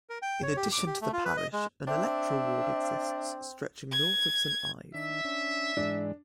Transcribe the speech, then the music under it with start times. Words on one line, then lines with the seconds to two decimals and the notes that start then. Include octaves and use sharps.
In addition to the Parish an electoral ward exists stretching north of Saint Ive.
0.10 A#4
0.22 G5
0.43 C#5
0.57 G4
0.72 D6
0.86 G4
1.02 A3
1.13 F4
1.25 B4
1.37 D#5
1.53 G#3
1.87 C4 D4 E5
3.92 G#6
4.94 D#3 D4 E5
5.25 C#4 D4
5.77 G#2 E3 G#3 D4